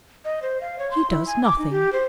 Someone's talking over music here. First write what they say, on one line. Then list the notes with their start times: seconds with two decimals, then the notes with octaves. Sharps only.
He does--nothing.
0.25 D#5
0.42 C5
0.61 F5
0.78 C#5
0.91 C6
1.10 E4
1.27 G#5
1.44 D6
1.58 D#4
1.70 G4
1.93 C5